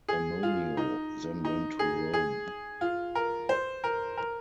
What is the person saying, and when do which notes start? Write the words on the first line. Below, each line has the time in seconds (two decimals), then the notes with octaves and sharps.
Ammonio then went to Rome.
0.09 G#4
0.43 F4
0.77 D#4
1.45 D#4
1.79 G#4
2.14 G#4
2.81 F4
3.15 A#4
3.49 C5
3.84 A#4
4.17 A#4